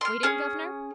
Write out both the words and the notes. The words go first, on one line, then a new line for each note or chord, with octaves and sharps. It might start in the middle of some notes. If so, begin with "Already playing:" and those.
Waiting, guvnor?
C6 F6
C#4 G#4